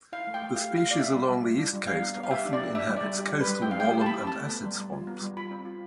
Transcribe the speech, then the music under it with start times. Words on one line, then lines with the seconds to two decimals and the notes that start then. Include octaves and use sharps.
The species along the east coast often inhabits coastal wallum and acid swamps.
0.12 E4 F5
0.27 A3
0.34 G5
0.42 A3
0.56 G4 F5
0.71 E4
0.78 F5
0.86 A3 D5
1.00 D4 E5
1.15 G3
1.29 G3
1.44 F4
1.59 D4
1.73 G3
1.87 D4 F5
2.02 B3
2.16 B3
2.23 F5
2.31 G4 E5
2.45 D4
2.53 D5
2.60 B3
2.75 D4 E5
2.89 G3
2.96 D5
3.04 G3
3.19 G4
3.33 D4
3.40 B4
3.48 G3
3.62 C4 G5
3.71 F5
3.77 A3 G5
3.91 G4
4.01 A5
4.06 E4 B5
4.20 C4
4.27 A5
4.35 A3
4.49 B3
4.64 G3
4.79 G3
4.93 F4
5.07 B3
5.22 G3
5.37 F4 B5
5.51 C4
5.65 F4